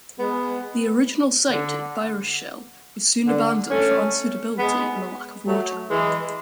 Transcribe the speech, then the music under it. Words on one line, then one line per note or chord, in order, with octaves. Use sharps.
The original site at Bayrischzell was soon abandoned for unsuitability and lack of water.
G#3 B3
D3
D3
A3 C#4
G#3 B3
F#3 A3
E3 G#3